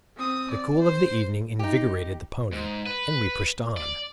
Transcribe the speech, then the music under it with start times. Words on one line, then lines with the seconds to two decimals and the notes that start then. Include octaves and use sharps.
The cool of the evening invigorated the pony, and we pushed on.
0.18 C4 D#6
0.51 D5
0.82 C5
1.59 D#4 G4
2.53 G#2
2.87 B4
3.77 D5